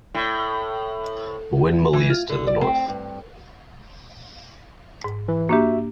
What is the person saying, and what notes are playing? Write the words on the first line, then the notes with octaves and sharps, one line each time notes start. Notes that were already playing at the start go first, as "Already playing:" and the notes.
Winmalee is to the north.
A2
E3
F4
D3
D5
C4
G2
G#2
E3
A#3 D4 F#4 G4 E5